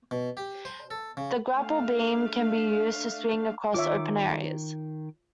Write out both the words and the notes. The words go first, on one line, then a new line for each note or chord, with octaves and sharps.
The Grapple Beam can be used to swing across open areas.
B2
G4
C5
A4
C#3
A3 D4 F5
D#3 F4 C#5 E5 D6